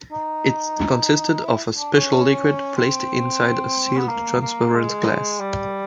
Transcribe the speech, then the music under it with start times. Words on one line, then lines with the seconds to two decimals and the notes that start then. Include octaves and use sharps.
It consisted of a special liquid placed inside a sealed transparent glass.
0.12 D#4
1.43 E4
1.77 D4
1.94 C#4
2.76 C4
3.97 B3
4.09 A#3
4.41 A#3
4.75 G#3
5.40 G3